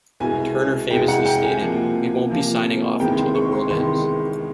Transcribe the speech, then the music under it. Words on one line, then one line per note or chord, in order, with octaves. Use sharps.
Turner famously stated: We won't be signing off until the world ends.
C2 B2 G#3 G#5
C2 B2 G#3 G5
F#5
G5
G#5
C3 F3 A#3
C3 F3 A#3
C2 C3 D#3 G#3 B3 G5
C6
C#6
C6
C2 C3 D#3 G#3 B3 C6